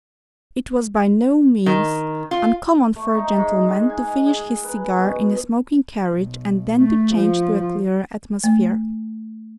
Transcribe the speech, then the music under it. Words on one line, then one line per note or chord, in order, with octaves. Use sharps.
It was by no means uncommon for a gentleman to finish his cigar in a smoking carriage and then to change to a clearer atmosphere.
D#3
F4
A3
D#4
G#2
G#3
G#5
G#4
B4
B2
B1
A3
F3
A3